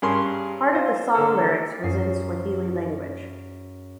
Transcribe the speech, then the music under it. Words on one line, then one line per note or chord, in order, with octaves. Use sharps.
Part of the song lyrics was in Swahili language.
G2 C#4 G#4 A#4 C6
F4 C5
D3 A4
F#2 G#4 C7